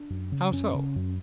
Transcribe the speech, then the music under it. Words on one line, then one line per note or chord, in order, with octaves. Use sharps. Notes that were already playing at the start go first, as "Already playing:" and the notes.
"How so?"
Already playing: D4
F#2
C#3
F#2 C#4
C#3
F#2